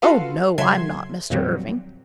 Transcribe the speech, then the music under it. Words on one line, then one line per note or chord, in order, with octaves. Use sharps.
Oh, no, I'm not, Mr. Irving.
F4 F#4 A4 B4 F5
C#3 F#3 A4 E5 C6 G#6
F2 A#2 D#3 F#3 G3 C4